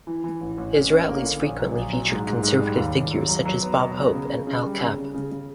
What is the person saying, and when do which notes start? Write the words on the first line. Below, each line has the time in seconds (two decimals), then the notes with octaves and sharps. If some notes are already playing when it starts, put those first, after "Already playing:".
His rallies frequently featured conservative figures such as Bob Hope and Al Capp.
0.07 E3
0.24 E3
0.41 A1
0.58 A1
0.75 C#4
0.92 C#4
1.09 A#3
1.25 D3
1.42 A#1
1.59 F#3
1.76 A#1
1.93 F#3
2.10 G#2
2.27 G#2
2.43 G#2
2.61 G3
2.77 D#2
2.95 D#2
3.11 F#3
3.29 F#3
3.45 F#3
3.62 B3
3.79 B2
3.96 F#3
4.13 C#3
4.29 C#3
4.47 C#3
4.64 G3
4.81 C#3
4.97 C#3
5.14 C#3
5.31 C#3